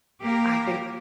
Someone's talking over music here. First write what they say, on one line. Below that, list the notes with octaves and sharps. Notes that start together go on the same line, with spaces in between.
I think
A#3 G4 A#4